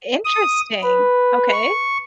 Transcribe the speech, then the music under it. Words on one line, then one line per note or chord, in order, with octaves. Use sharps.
Interesting, okay.
D#6
B4
C#6